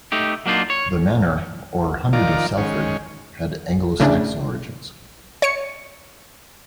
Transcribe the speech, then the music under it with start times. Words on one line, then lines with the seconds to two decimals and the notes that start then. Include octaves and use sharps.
The Manor or Hundred of Salford had Anglo-Saxon origins.
0.12 A3 D#4 G4
0.46 F#3 A#3 D4 D#4 F4
0.70 C#5
2.13 D#3 F3 F4 A#4 D5
2.57 D#3 G#3 C#4
4.00 A2 C#3 A3 D4
5.42 C#5 C#7